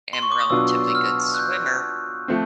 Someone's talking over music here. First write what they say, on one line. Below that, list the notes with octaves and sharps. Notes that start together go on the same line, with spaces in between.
am relatively good swimmer,
C6
C#6
D6
D#6
B2 F#3 B3 D4 F4 E6
E6
F6
F#6
G6
F3 A3 C4